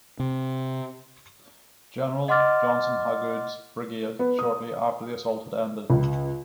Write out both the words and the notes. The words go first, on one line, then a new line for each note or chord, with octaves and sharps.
General Johnson Hagood's brigade shortly after the assault had ended.
C3
D#5 F#5 C6 D6 F6 A6
B3
D#6
C#2